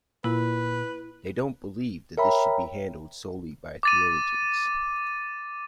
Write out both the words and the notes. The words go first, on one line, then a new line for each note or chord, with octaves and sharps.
They don't believe that this should be handled solely by theologians.
A#2 E4 B4
A#4 C#5 E5 G5 A#5 B5
D6 A6 D#7